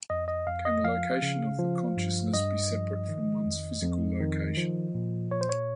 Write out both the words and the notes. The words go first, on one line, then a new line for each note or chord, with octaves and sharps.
Can the location of the consciousness be separate from one's physical location.
F2 D#5
D#5
F2 F5
D#5
F3 F5
C#3
F3
G2
G2 D#5
F3
D#3
F2
F2
D#3
F3
A#2
A#2 C#5
C5
C#5